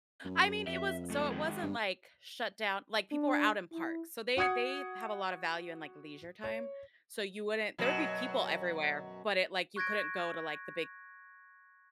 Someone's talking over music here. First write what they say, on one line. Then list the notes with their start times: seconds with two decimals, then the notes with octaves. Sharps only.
I mean, it was so it wasn't like shut down, like people were out in parks, so they they have a lot of value in like leisure time, so you wouldn't there would be people everywhere, but it like, you couldn't go to like the big
0.25 F#2
0.67 F2 E5
1.10 G#2 A3
1.31 D#3 G#3
1.63 G2
3.12 D4
3.72 E4
4.37 F#4 F#5 D#6 G#6 C#7
6.44 C#5
7.78 F#2 B2 F#3
9.76 C#6 F#6 G#6 A#6 D7